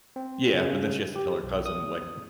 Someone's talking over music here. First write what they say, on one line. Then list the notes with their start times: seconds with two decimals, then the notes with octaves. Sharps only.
Yeah, but then she has to tell her cousin, like,
0.16 C4
0.53 C#3
1.16 G4
1.44 B1
1.66 D#6